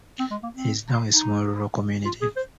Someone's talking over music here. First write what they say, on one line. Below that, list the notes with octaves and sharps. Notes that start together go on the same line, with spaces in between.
It is now a small rural community.
C4
G#3
A#3
C4
D#4
F4
G#4
C5